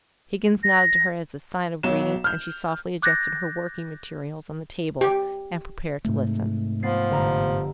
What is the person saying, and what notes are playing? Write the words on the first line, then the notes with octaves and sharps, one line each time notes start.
Higgins nodded to her as a sign of greeting; and she softly adjusted her working materials on the table, and prepared to listen.
A#6
B1 F#3 E7
F6 G6
D6 F#6 G6 A6 A#6
G4
G#2 C3 A3
F3 B3 A6 C7
G1 A#5